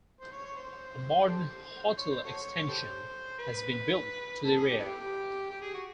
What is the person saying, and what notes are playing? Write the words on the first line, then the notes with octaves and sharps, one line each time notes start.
A modern hotel extension has been built to the rear.
C5
C#5
C#5
C5
G4 A4 C5
C#5
C5
F#4 A4 C#5
G4 A4 C5
B4
A4
G#4
G4
B3 E4 G4
G4
G#4
F#4